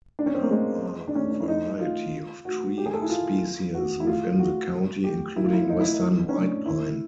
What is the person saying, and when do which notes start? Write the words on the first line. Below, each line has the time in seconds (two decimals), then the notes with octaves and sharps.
There are a variety of tree species within the county including Western White Pine.
0.19 D4
0.26 C#4
0.35 C4
0.42 A#3
0.51 G#3
1.08 D4
1.15 C#4
1.31 D4
1.40 E4
1.48 D#4
1.80 F4
2.45 F#4
2.78 G4
2.86 G#4
2.94 A4
3.02 E4
3.10 F4
3.75 F#4
4.00 E4
4.07 F4
4.39 F#4
5.04 G4
5.36 E4
5.45 F4
5.53 E4
5.69 D#4
5.81 E4
5.93 D#4
6.29 C#4
6.34 D4
6.66 E4